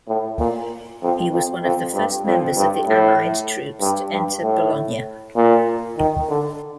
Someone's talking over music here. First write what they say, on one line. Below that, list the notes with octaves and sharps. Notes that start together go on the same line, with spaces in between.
He was one of the first members of the Allied troops to enter Bologna.
A2
A#2
F2
F2
F2
G2
F2
G2
A2
G2
G2
A2
A#2
D#3
D3